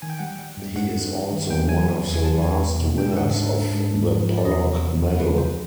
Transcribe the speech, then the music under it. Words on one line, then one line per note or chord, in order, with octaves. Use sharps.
He is also one of the last winners of the Pollock Medal.
D#3 G#5
G5
G3 F#5
G5
G3
G2
G2 F#5
G2
G2
D#3
E2 G5
F#3 G#5
F#3
E2
G#5
F#3 A5
E2 G#5
E2
B2
D4 G5
G#2 F#5
D4 E5
D4
G#2
G#2
F3
F3
D5
E2 D#5
C3
F3
E2
F3 B4
C3 C5